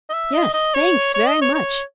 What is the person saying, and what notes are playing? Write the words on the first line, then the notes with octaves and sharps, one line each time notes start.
'Yes, thanks, very much.
D#5
E5
D#5
D#5
C#5
C#5
D#5
C#5
C#5